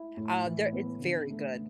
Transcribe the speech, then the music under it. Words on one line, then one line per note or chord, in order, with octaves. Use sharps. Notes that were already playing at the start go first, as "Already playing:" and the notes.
Uh, they're it's very good.
Already playing: E4
A2
E3
B3
D3
A3